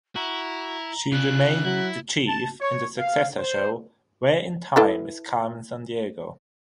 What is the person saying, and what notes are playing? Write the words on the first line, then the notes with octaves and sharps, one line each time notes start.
She remained The Chief in the successor show, Where in Time is Carmen Sandiego?
E4 F#4 A#5
C#3 D4 F4 F#6
F#3 E4
A5
C#5
F5
C5
E4 A4 B4